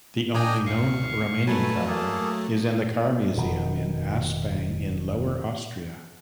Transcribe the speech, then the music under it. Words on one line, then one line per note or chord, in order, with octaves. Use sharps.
The only known remaining car is in the car museum in Aspang in Lower-Austria.
D4 D#5 G5 G#5 A#5 D#6
D2 F5 C#6
F#3 A3 B4 G#5 A5
A#3 G#4 A4
F1 B2 D#3